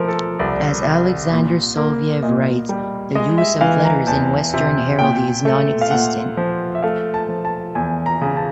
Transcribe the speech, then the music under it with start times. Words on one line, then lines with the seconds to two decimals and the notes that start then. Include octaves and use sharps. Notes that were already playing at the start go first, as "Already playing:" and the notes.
As Alexander Soloviev writes, the use of letters in western heraldry is nonexistent.
Already playing: F3 A3 A#4
0.08 A4
0.39 C2 D5
0.86 C3
1.32 A#2
1.77 A#3
2.23 A#2 D#5
2.69 G3
3.15 G#3 D#5
3.38 E5
3.61 E3 F5
3.85 A#5
4.07 E2 A5
4.54 C3
4.99 A#2 G5
5.45 A3
5.81 F5
5.91 A#2 F#5
6.37 F3
6.75 E5
6.83 A3 F5
7.14 A5
7.29 F3
7.45 A5
7.75 E2 G#5
8.06 A#5
8.22 C#3
8.36 A5